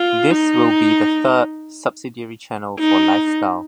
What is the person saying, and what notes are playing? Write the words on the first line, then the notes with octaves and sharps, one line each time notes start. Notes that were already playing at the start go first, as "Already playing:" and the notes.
This will be the third subsidiary channel for LifeStyle.
Already playing: F4
D#4
D#4